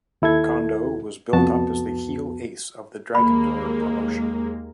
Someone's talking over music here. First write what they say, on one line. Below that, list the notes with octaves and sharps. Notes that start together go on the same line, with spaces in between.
Kondo was built up as the heel ace of the Dragondoor promotion.
D#2 E4 A4 G#6
C2 F2 B3 F#4 A5
D#2 G#3 A#3 B5